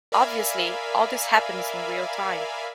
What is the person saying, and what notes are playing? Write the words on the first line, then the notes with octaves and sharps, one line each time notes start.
Obviously, all this happens in real-time.
A#4 D5 E5 F5 G#5 B5